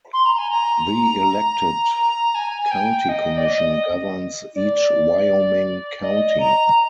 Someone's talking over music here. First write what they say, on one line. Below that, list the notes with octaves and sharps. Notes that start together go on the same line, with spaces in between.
The elected county commission governs each Wyoming county.
C6
A#5
G#5
A#5
G#5
G#5
G5
D#5
D5
D#5
D5
D#5
A#5